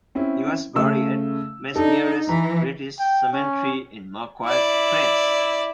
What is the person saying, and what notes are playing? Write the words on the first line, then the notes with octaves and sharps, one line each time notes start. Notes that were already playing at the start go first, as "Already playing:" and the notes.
He was buried at Masnieres British Cemetery in Marcoing, France.
C4 C#4 E4
C#3 A3 E6
D4 D#4 A4
E3 A#5
G5
C#4
E4 D5